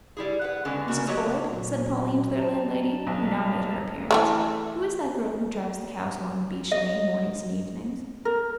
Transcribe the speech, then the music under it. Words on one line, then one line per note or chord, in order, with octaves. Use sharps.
"Mrs. Boyd," said Pauline to their landlady, who now made her appearance, "who is that girl who drives the cows along the beech lane mornings and evenings?"
G3 E4 G#4
B4 F#5
D3 G#3 B3 C#4
C#3 F#4 A#4
F#3 A#3 F#4 G4 C#5 D#5
A#2 F#3
D5 A5 A#5
B1
E3 F3 A3
D#5
A#4